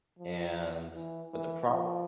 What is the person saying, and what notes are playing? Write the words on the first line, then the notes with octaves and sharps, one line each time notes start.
And but the problem
F3
E3
E3
F3